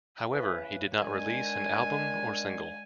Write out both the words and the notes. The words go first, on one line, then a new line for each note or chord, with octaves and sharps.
However, he did not release an album or single.
C#3 E3 B4
D3 D#3 G#3 G#5